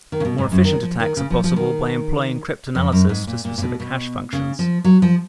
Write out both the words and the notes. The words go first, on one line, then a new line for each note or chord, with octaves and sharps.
More efficient attacks are possible by employing cryptanalysis to specific hash functions.
D#3
C#3
B2
G#2
F#2
D#3
F3
D#3
C#3
F3
F3
D#3
F2
F#2
G#2
A#2
A#2
A#2
B2
B2
C#3
F3
F#3
F3